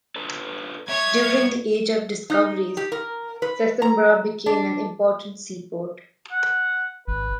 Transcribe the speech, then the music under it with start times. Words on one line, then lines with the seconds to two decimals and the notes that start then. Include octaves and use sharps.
During the Age of Discoveries, Sesimbra became an important seaport.
0.16 D4 A4 B4
0.88 G2 C#5 E5 G#6
2.30 D#4
2.77 G4
2.92 A#4
3.42 B4
3.82 A#5
4.46 D4
6.32 F#5
7.08 G#1 B4